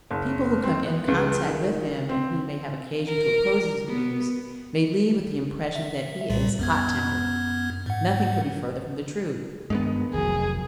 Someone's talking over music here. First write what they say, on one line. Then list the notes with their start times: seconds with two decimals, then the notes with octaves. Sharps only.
People who come in contact with him and who may have occasion to oppose his views, may leave with the impression that he is hot-tempered; nothing could be further from the truth.
0.11 F#1
0.63 C4
0.86 B3
1.08 C#2
1.47 D#3
2.09 C4
3.06 A#4
3.88 B3
5.76 E5
6.30 B1 A#2 G3
6.59 F#2 B3 G#6
7.86 G#2 F#5
9.70 G2 D#3 G#3 A3 B3
10.14 F1 B1 D#3 F#3 G#4